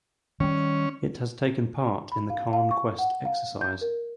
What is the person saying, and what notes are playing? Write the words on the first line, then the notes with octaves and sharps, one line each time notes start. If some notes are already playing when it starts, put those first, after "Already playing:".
It has taken part in the Khaan Quest exercise.
D#3 G3 C#4
B5
F5
F5
C#6
F#5
F5
G6
A#4